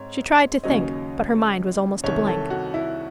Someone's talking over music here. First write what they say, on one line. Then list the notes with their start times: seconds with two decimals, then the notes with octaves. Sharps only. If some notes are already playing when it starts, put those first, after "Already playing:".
She tried to think, but her mind was almost a blank.
Already playing: G#2 C4 C#5
0.64 D#2 C#3 F#3 C#4 D#5
2.04 C2 C3 D#3 C#5
2.27 A4
2.50 F#4
2.74 E4